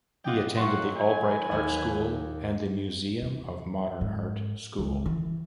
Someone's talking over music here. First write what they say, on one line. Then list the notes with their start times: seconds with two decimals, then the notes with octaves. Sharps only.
He attended the Albright Art School and the Museum of Modern Art School.
0.24 F4 D#5 F#5 G5 D6
0.57 D#3 F#3 F4 F#5 C6 C#6
0.97 B4 G#5
1.51 D#2 F#5
3.21 E2
4.01 G#2
4.79 C#2
5.06 E3